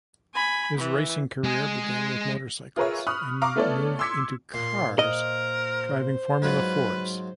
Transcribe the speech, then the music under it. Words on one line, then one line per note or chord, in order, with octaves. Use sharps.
His racing career began with motorcycles and he moved into cars driving Formula Fords.
G#5 B5
E3
G#3 G#4
F4 G#4 A#4 B4 C#5 E5
B5 C#6 D#6 F6 F#6
F5 A#5 C#6 D6 F6
A3 B3 E4 A4 C#5 D5
C6 D6 E6 G#6 B6 C#7
A#2 C6
A#4 C5 D#5
G#2 F#3 F4 B4